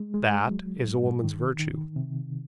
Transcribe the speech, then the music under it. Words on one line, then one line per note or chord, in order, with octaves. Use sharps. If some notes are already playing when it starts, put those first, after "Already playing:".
That is a woman's virtue.
Already playing: G#3
G#3
F#3
G#2
D#3
D#3
C3